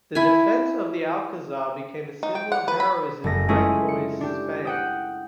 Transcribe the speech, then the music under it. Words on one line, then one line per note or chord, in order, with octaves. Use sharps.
The defence of the Alcazar became a symbol of heroism in Francoist Spain.
E4 G#5
D#4
G5
F#5
B4
B5
F#1 A3 A#6
G#3 A3 C#4 E4 F4 G#4
C#7
D4 G4
F#5 G5 D#6